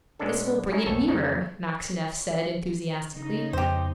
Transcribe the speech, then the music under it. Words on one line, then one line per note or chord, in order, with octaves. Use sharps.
'This will bring it nearer!' Maxineff said enthusiastically.
A#2 G#3 B3 C#4 D4 A4
C#4 D#4 E4 G#4 C#5
A#1 D#2 A4 C#5 A5
F2 C#3 B3 C#4 D#4
C#3 D#4
F2 B3 G4 C5